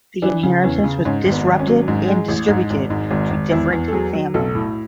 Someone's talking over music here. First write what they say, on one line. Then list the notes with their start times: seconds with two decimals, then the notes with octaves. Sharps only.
The inheritance was disrupted and distributed to different families.
0.22 E3 D4
0.43 C#3
0.64 E2 C#4
0.84 C#3
1.05 G#2 C#4
1.25 G#1
1.32 B3
1.47 G#1
1.59 C#4
1.67 F#3
1.88 G#2
2.08 G#3
2.28 A1
2.48 G#2
2.70 G#1
2.90 G#2
3.11 G#1
3.30 G#1
3.52 E2 E4
3.73 E2
3.88 A4
3.93 F#3 G#4
4.14 F#3
4.34 B1 A4
4.55 A2